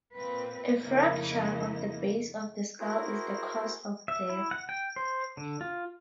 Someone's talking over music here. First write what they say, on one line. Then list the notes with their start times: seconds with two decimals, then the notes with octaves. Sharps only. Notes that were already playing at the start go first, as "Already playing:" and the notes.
A fracture of the base of the skull is the cause of death.
0.14 A#2 C4 B4
0.80 F2 C#3 A3 A#3 D#4 E4
2.80 E4 F#4 G#4 A#4 C5
4.08 E5
4.29 E4
4.51 F#5
4.69 G5
4.96 C5
5.37 D3
5.61 F4